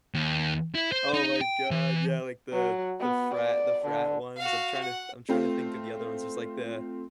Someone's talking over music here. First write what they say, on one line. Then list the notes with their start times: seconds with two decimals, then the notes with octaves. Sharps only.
Oh my god. Yeah, like, the the frat the frat ones. I'm trying to th I'm trying to think of the other ones. It's like the
0.14 D#2
0.75 E4
0.92 C5
1.14 D#4
1.41 G5
1.71 E3
2.52 F#3
3.00 B3
3.34 D5
3.85 D3
4.37 F#4 F5
4.83 F#5
5.29 A3 C4 F4